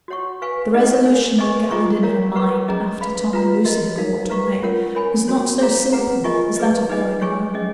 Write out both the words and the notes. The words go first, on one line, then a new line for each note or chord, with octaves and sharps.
The resolution that gathered in her mind, after Tom and Lucy had walked away, was not so simple as that of going home.
F#4 C#5 F#5 C#6
B4 F5 G#5 C#6
D#4 G#4 B4 D#5
A#4 C#5 G#5
G#4 B4 D#5 G#5 C#6
F4 G#4 D#5 A#5 C#6
A#4 C#5 F5 A#5
B4 F#5 C#6
C#4 G#4 D#5 A#5
B4 F5 B5
F4 B4 F5 A#5
F#4 A#4 D#5
D#4 A#4 F5
B4 F5 A#5 C#6
C#4 F4 A#4 C#5 F#5
A#4 C#5 G#5 B5
C#4 F#4 C#5
G#4 C#5 F5 A#5
G#4 B4 F#5 A#5
F4 A#4 D#5 G#5 C#6
G#4 B4 D#5
D#4 G#4 B4 D#5 G#5
G#4 C#5 G#5 C#6
C#4 G#4 D#5